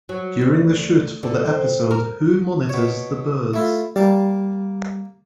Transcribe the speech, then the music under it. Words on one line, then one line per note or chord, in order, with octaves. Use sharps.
During the shoot for the episode Who Monitors the Birds?
F#3
D2
D3
C4
A#4
B2 C#5
A3 E4 F4
G3 A#3 F5 A5